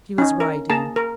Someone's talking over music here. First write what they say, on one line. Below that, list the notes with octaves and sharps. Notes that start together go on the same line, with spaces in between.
She was writing.
C#4 D#4
A#4
A#3 G#4 A5 A#5
A#4